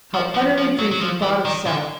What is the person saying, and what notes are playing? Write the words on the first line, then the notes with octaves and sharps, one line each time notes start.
How utterly free from thought of self!
F3
F3
F3
F#3
F#3
F3
E3
D#3
D3